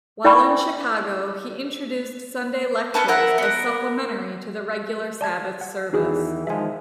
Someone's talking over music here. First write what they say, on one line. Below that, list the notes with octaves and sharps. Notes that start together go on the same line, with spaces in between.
While in Chicago he introduced Sunday lectures as supplementary to the regular Sabbath service.
E4 D5 G5 G#5 B5 C#6
B3 C#4 A4 B4
A#4 E5 F#5
B3 A#4
D5 A5 G#6
F#5
E2 D#3 E3 D#4 F#4 G#4
D#3 F3 G#3 E5 G#5